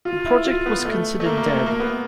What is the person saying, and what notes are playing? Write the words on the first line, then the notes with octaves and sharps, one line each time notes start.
The project was considered dead.
F4
E4
F4
B3
A3
A3
A#3
A#3
A3
A#3
B3